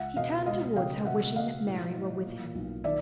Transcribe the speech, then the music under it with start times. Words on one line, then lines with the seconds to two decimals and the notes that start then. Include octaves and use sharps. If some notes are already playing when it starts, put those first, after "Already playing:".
He turned towards her, wishing that Mary were with him.
Already playing: C#2 E5 F#5
0.16 B2 D#5 F5
0.46 G#3 D#5 F5
0.76 C#3 F5 G5
1.05 B2 E5 F#5
1.35 B2 D#5 F5
1.65 A2
1.95 A2
2.25 A#2
2.55 B1
2.84 D#3 D5 E5